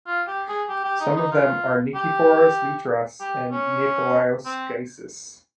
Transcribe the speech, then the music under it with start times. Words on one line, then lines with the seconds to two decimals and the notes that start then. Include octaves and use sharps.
Some of them are Nikiphoros Lytras and Nicholaos Gysis.
0.07 F4
0.27 G4
0.48 G#4
0.69 G4
0.85 G4
1.00 D#4
1.16 D#4
1.32 F4
1.95 G4
3.21 G4
3.52 C#4
4.46 C4